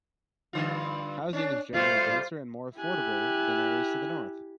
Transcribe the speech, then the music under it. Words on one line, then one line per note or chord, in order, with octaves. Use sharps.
Housing is generally denser and more affordable than areas to the north.
G2 D3 F4
C#4 D4
G3 A3 F4 C5
E4 G4 G#5 F#6